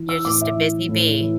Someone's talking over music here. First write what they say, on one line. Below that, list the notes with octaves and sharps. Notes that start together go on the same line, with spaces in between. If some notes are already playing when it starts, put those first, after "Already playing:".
You're just a busy bee.
Already playing: E3
E6
A2 D6
E5
E3
A2
E3